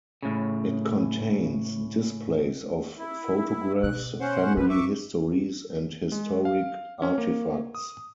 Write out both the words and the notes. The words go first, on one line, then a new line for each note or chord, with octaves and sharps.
It contains displays of photographs, family histories and historic artifacts.
A2 C#3
E4
B2 F#6
C#4 C5 F#5
F3 D#4 B4
E5 C#6 D6
G#3
F5
C#4
A#3
D#6